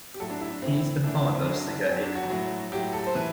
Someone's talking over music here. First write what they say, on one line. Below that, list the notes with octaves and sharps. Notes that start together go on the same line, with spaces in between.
He is the father of singer Akon.
G4
A2 F#3 A4
D4
E4
D4
A2 E3 C4
A2 E3 D4
C4
F#2 F#3 D4
D4
F#2 F#3 C4
D4
F#4
A2 F#3
A2 F#3 G4
A4
C5
A2 E3 B4